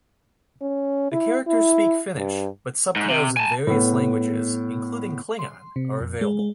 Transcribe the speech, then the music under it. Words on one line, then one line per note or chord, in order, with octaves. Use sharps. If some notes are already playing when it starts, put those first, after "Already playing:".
The characters speak Finnish, but subtitles in various languages, including Klingon, are available.
C#4
E4
E4
G2
G#2
C3
G#5 A5
A2 B3
C6
C3
F2
G#3
G#3